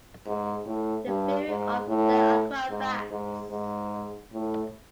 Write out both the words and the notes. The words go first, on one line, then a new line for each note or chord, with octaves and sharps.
The Fury of The Aquabats!
G#2
A2
G2
G#2
A2
G#2
G#2
G#2
A2